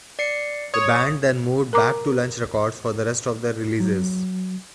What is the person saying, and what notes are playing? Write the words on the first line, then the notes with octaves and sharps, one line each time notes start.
The band then moved back to Lunch Records for the rest of their releases.
D5 C7 C#7
C#5 D#6
A#4 A#5 D6
F#3